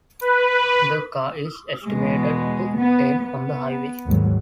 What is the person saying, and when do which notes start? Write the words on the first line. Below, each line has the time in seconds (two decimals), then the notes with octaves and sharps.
The car is estimated to obtain on the highway.
0.21 B4
1.87 E2 B2 G#3
2.78 B3
3.23 B3
4.06 D#2 G#2 F#3